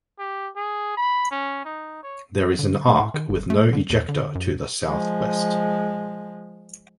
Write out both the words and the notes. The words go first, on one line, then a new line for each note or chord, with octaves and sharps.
There is an arc with no ejecta to the southwest.
G4
G#4
B5
C#4
D#4
C#5
D3
A3
A2
D#3
G1
A3
D3
E2
D3
F#2
F3 G#3